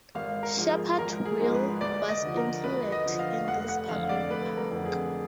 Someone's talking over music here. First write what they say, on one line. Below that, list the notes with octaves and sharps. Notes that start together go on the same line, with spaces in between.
Shepherd Wheel was included in this public park.
G#1 F5
A#4
G#2 F3 G#3
G#4
G#1 A#4
G#4
G#2 F3 G#3
B4
D2 D5
D#5
D3 F3
A#4
D2 B4
D#5
D3 F3
F5
F1 F#5
F#5
F2 D3 F5
D5
F1 B4
A#4
F2 D3
G#4